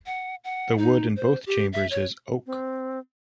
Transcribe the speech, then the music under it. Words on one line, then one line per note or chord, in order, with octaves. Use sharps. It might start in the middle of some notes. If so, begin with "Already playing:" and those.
The wood in both chambers is oak.
F#5
F#5
D#4
C5
G4
E5
C#5
C4